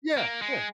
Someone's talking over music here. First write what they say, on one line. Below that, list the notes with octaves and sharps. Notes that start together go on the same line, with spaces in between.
Yeah, yeah.
A#3
G#3